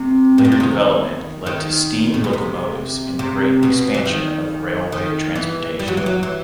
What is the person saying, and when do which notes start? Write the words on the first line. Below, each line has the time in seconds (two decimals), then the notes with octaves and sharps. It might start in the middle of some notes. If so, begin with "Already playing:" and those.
Later development led to steam locomotives and great expansion of railway transportation.
Already playing: C3
0.38 A2
0.45 B2
0.52 C3
0.60 D#3
1.46 D#3
2.14 A2
2.24 B2
2.33 C3
3.19 C3
3.63 B2
3.94 E3
4.06 D#3
4.92 D#3
5.35 E3
5.79 G3
5.88 F#3
5.97 E3
6.06 F#3
6.23 E3